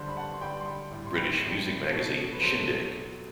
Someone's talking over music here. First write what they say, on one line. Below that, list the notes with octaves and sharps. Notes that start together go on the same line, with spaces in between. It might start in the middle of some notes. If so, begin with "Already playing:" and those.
British music magazine Shindig!
Already playing: D3 G3 C5
B5
F#5 A5
C6
D3 G3 G5 B5
C6
G5 B5
A2 G3
C6
G5 B5
A2 G3
B2 F#3 A3
B4
B2 F#3 A3 C5